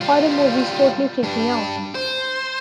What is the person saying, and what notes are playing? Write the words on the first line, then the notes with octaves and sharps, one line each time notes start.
Horror movies totally freak me out.
G3 F4
G2 D4
C5